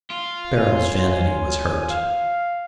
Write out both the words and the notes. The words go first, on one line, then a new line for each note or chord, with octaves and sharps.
Beryl's vanity was hurt.
F4
C#5 G#5
F5